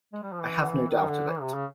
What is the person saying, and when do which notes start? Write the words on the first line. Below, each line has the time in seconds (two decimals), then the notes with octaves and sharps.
I have no doubt of it.
0.13 G#3
0.23 G3
0.32 F3
0.41 E3
0.89 D#3
1.09 D3
1.28 E3
1.41 C3
1.54 C#3